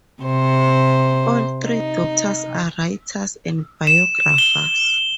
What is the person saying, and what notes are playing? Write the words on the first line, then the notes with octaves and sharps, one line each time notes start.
All three daughters are writers and biographers.
C3 C5
D#4
E7
G7